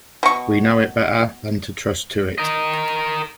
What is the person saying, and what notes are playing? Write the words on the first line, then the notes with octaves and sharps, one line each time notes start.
We know it better than to trust to it.
B2 C#6
A#4 D#5